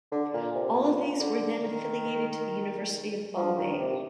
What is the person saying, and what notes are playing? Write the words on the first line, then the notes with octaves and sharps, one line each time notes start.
All of these were then affiliated to the University of Bombay.
D3
A#2
C3
A#2
D3
D#3
F3
D#3
C3